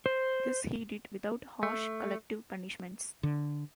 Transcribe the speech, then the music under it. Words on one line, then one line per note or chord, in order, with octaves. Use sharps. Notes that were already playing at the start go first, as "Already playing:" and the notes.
This he did without harsh collective punishments.
C5
A3
D3